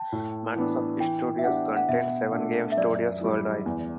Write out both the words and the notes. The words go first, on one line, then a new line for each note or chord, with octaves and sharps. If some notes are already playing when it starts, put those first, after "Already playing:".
Microsoft Studios contains seven game studios worldwide.
Already playing: G5 A5
A2
E3 B3 D4
E3 G5
E5
B3 D4 G4 F#5
F#5
B2 E5
A3 D4
E5
F#2 D5
E3 G3
E2